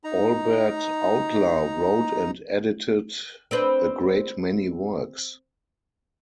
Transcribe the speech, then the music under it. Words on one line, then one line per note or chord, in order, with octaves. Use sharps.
Albert Outler wrote and edited a great many works.
D#4 A#5
C4 D4 B4